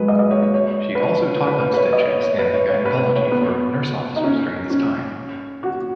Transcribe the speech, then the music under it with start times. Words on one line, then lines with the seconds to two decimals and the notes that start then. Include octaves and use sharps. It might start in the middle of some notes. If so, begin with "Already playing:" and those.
She also taught obstetrics and gynecology for nurse officers during this time.
Already playing: F#3 G#3 B4
0.08 D#5
0.19 D#5
0.31 C#5
0.42 C#5
0.54 C#5
0.95 B4
1.00 C#5
1.47 B4
1.74 B4
1.77 C#5
1.93 D#5
2.08 C#5
2.23 C#5
2.38 B4
2.54 C#5
2.69 C#5
2.85 B4
3.16 C#5
3.31 B3
4.16 D#4
4.24 C#4
4.70 C#4
5.63 F#4